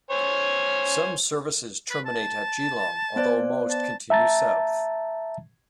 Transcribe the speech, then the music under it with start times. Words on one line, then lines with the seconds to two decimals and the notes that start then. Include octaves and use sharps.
Some services terminate at Geelong, although most continue south.
0.11 C5 C#5 G#5
1.90 B4
2.05 A5
3.16 B3 C5 D5
3.70 A5
4.10 E5 A5 A#5 A6